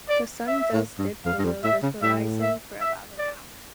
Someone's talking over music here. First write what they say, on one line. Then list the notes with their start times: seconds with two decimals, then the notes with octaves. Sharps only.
The sun does dip below the horizon for about an hour.
0.09 D5
0.48 E5
0.73 A2
0.98 G2
1.24 F2 F5
1.39 G2
1.44 F2
1.64 A2 E5
1.82 C#3
2.02 A2 E5
2.41 E5
2.80 E5
3.18 D5